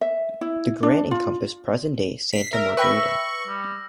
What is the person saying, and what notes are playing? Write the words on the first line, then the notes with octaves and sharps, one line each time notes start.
The grant encompassed present day Santa Margarita.
E5
E4
D4
F4
B6 C7
A#4 E5
B4 G5 B5 C#6 E6 A#6
G3